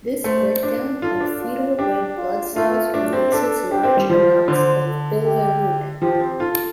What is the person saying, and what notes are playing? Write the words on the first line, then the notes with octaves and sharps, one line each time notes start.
This breakdown of fetal red blood cells releases large amounts of bilirubin.
A3 C5
D4
F4 A4
D4
F4
D4 G4
F4
A3 F4
A3 D4
C4
D4 A4
D4 G4
C4
G3
F3 C5
D3 C5
A4
G4
F3 G4
C4
F4 A4